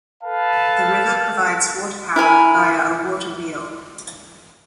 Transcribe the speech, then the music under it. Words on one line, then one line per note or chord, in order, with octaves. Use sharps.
The river provides water power via a water wheel.
A4 B4 F5 A5
E4 A#4 G#5 B5